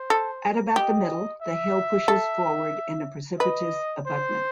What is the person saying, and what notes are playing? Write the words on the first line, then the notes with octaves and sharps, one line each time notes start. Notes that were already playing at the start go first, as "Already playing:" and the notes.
At about the middle, the hill pushes forward in a precipitous abutment.
Already playing: C5
A4
G4 D#5
E5
A4
B4 D#5
C5